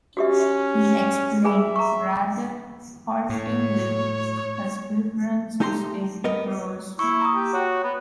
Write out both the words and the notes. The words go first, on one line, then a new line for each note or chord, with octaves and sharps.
He explained rather haltingly his preferences in prose.
C#4 F#4 G4 E5
G#4 E5 G#5 B5
A#5 C#6
A2 C#5
A3 D#4 G4 A#5 C6
B3 A#4 D#5
A#3 E4 C#6
A#5 D#6
G4
F#4 C#5
B3